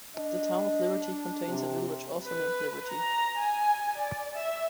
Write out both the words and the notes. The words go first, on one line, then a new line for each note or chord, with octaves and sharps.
The Town of Liberty contains a village also named Liberty.
D4 D#5
C3
B4
A#5
G#5
D5
E5